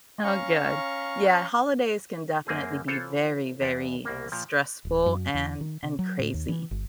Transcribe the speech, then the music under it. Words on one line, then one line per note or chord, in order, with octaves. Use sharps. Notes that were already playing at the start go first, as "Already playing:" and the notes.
Oh good, yeah, holidays can definitely be very, very stressful and and crazy,
C#4 F5 A#5 C#6
F#2 A#3 C4 G#4
E3 F4 A4 C5 C#5
E2 D5 F#5
C2 B2 A#3
A#2 F3
D1
F#2
E2
D#3
C3
F#3
A2
D#2
E3
G1